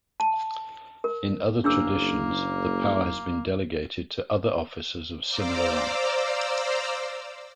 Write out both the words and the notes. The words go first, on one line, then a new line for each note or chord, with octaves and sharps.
In other traditions, the power has been delegated to other officers of similar rank.
A5
A#4
F#1 A#3 D4 G#4 E6
C5 D5 F5 A#5 D6 E6